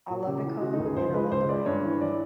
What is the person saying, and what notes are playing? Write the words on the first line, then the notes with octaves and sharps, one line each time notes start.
I love the cold, and I love the rain.
A#2
C#3 G4
E3
C#3 F#4
D#4
C#2
G#4
C#2 C5
G#3 B4
C#2 C5
G#3 D5
G2 C#5
E3
E3 D5